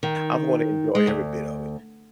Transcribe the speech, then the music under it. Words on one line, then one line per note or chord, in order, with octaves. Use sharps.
I'm gonna enjoy every bit of it
D#3
G#3
D2